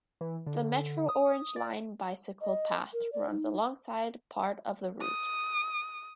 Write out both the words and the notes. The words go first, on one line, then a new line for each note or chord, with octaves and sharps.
The Metro Orange Line bicycle path runs alongside part of the route.
E3
D3
D#6
D5
D#5
A#4
D5
D#4
D#6